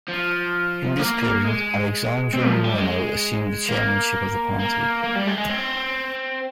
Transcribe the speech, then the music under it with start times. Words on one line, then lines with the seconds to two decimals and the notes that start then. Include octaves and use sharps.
In this period, Alexandra Moreno assumed the chairmanship of the party.
0.08 F3
0.99 A#3
1.44 G#3
2.33 C4
2.48 F3
2.64 G3
2.79 G#3
3.69 A#3
4.60 A#3
5.04 A#3
5.16 G3
5.27 G#3
5.38 G#3
5.50 C4